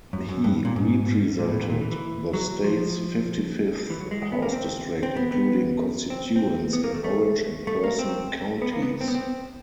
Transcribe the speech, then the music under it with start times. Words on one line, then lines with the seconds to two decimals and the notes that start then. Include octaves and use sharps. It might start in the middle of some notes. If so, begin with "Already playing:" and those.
He represented the state's fifty-fifth House district, including constituents in Orange and Person counties.
0.13 F#2
0.29 F#2
0.44 G2
0.65 A#2
0.76 G#2
1.39 A#2
1.49 A2
1.60 A#2
1.70 A#2
1.81 E3
1.92 E3
2.33 F#3
2.64 F3
3.90 E3
4.01 F#3
4.11 G#3
4.22 G#3
4.32 B3
4.42 A#3
4.52 C4
5.03 C4
5.16 B3
5.32 B3
6.10 C4
6.36 C4
6.73 B3
6.84 A#3
6.94 A3
7.04 A3
7.67 A3
7.84 A#3
7.99 C4
8.62 B3
8.72 A#3
8.83 B3
9.01 C4
9.08 B3
9.14 C4